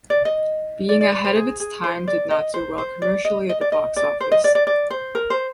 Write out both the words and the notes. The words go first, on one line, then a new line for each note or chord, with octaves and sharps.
Being ahead of its time did not do well commercially at the box office.
D5
D#5
D5
D5
D5
C5
G#4
G#4
C5
D5
D#5
C5
C5
D5
D#5
D#5
D5
D#5
D5
C5
D#5
D5
D5
D5
C5
A#4
C5